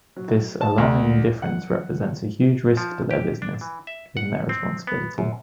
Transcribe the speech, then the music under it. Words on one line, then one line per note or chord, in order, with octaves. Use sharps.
This alarming indifference represents a huge risk to their business, given their responsibility.
F#3
A5
D2
F#5
F3
G4
D4
E3
E5
F#5
C4
B3
F#2